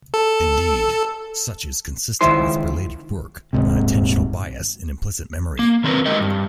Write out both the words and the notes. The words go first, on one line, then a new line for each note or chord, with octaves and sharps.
Indeed, such is consistent with related work on attentional bias in implicit memory.
A4
C#2 D#3 E4 C5 C6
D#1 G#1 G#2 C3
A#3
D#3 C4 C#4 A#4 B4
F#3 G#3 D#4 G4 A#4 D#5
G2